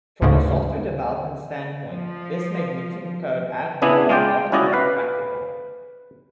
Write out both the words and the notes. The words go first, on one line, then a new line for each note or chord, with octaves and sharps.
From a software development standpoint, this made mixing code ad hoc and often impractical.
D2 G#2 C#3
F3
C#3 B3 D4 E4 G#4
G#3 F4 D5 G5
C#4 E4 F#4 D5 D#5
B4 F5